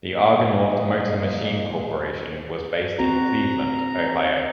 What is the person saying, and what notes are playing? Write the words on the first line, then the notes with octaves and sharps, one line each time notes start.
The Argonaut Motor Machine Corporation was based in Cleveland, Ohio.
A#2 D3 F3 G3 D#5
C4 F#4 A#5